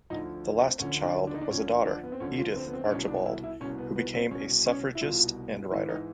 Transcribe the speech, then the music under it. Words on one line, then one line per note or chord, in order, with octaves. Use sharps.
The last child was a daughter, Edith Archibald, who became a suffragist and writer.
D2 D3 F3 D#4
C4
D2 D3 F3 C#4
D4
D4
D#4
D4
D2 D3 F3 C#4
D4
B3
C4
D2 D3 F3 C#4
F4
C4
B3
C4
D4
C2 B2 C#4
D4
E4
E4
C2 B2 C#4
B3
B3
C4
C2 B2 C#4
C#4
E4
C2 B2 F4
G#2 E3 E4
D#4